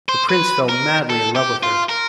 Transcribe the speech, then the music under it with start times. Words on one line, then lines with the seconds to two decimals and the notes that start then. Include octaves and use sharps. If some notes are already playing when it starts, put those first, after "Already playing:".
The prince fell madly in love with her.
0.09 C5
0.29 B4
0.69 A#4
1.10 A4
1.36 G4
1.63 F4
1.89 A#4